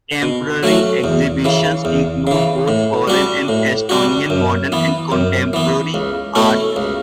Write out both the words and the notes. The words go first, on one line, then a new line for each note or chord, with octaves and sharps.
Temporary exhibitions include both foreign and Estonian modern and contemporary art.
B2
F#3 A3 C#4 F#4
E2
C#3 E3
E2
C#3 E3
A2
G3 D4 F#4
A2
G3 D4 F#4
F#2
E3 B3
F#2
E3 B3
C#2
B2 A3 C#4 E4
C#2